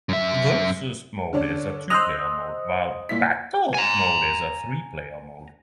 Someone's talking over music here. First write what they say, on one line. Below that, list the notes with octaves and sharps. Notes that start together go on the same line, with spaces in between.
Vs Mode is a two-player mode, while Battle Mode is a three-player mode.
F#2 E5
D3 C#4 D4
C5 D#5 E6 F#6 F7
A#2 E4 B6
G#5 A#5